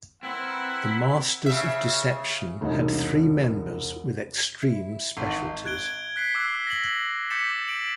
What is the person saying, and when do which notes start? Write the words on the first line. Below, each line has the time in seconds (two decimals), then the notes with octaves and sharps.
The Masters of Deception had three members with extreme specialties.
0.23 C4 E4 A#4 B4 F#5
1.46 C#3 E5
2.61 E1 C2 D#4
4.62 E4
5.17 G#1 D#4
5.65 F#6 G#6 D7 G7
6.16 F#6 B6 C7 G7
6.35 D6 E6 F#6 C7
6.67 A#6 F#7
7.30 D6 G6 A6 B6 C#7 E7
7.68 D7 F#7